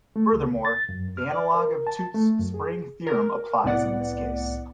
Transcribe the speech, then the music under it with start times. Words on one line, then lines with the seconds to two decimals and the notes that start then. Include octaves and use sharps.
Furthermore, the analogue of Tutte's spring theorem applies in this case.
0.16 A3
0.33 C#2
0.65 A6
0.89 F#2
1.17 F6
1.32 D5
1.54 A#4
1.87 A5
2.14 A3
2.39 F#2
2.54 G#4
3.07 A#4
3.64 C2 A2 B3 D5 F#5